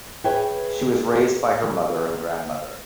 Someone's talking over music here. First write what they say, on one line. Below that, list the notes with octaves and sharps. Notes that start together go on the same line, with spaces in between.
She was raised by her mother and grandmother.
G#4 B4 C#5 E5 G5